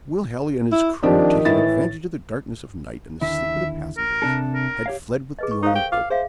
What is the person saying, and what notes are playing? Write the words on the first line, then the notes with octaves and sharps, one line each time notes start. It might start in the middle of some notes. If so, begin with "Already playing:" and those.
WILL HALLEY and his crew, taking advantage of the darkness of night and the sleep of the passengers, had fled with the only boat.
E4
D#3 F3 C4 D4 G4
A2 E3 E4 A6
D#2 D3 E4 E5
A#4
C3 D4 A4
A#4
G4 C#5 F5
G#4 B4 D#5
C#6
D#4 A#4 C5 F5
G5
F5 D6
G#4 C5 E5 F5